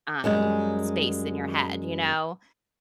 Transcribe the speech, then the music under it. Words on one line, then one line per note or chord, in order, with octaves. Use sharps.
um, space in your head, you know,
F#2 G3 G#3